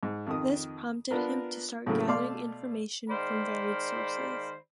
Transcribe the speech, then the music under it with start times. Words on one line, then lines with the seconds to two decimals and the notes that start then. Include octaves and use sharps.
This prompted him to start gathering information from varied sources.
0.03 G#2
0.26 F2 D#3 D#6
1.11 B3 D4 F4 A#4
1.86 A2 C#3 F#3 A3 A#3
2.07 B2 A3 D5 F5 C6 D6
3.09 D#3 G#3 C5 D5 F5 B5